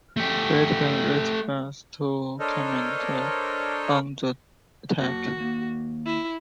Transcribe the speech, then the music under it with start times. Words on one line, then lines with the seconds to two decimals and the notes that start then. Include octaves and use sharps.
Friedkin refused to comment on the attack.
0.17 A3 G4
2.40 D4 A4 A#4 C5 C#5 D#5
4.99 F#2 A#3 F#4 A5
5.36 D#2 A#3
6.06 E4